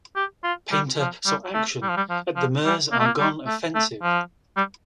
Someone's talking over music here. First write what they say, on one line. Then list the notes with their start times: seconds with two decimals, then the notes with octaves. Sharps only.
Painter saw action at the Meuse-Argonne Offensive.
0.16 G4
0.44 F4
0.72 G3
1.00 F3
1.26 G3
1.54 A3
1.82 G3
1.89 F3
1.97 G3
2.10 F3
2.36 F3
2.65 G3
2.92 A#3
2.99 A3
3.06 A#3
3.19 G3
3.47 A3
3.75 A3
4.03 F3
4.57 G3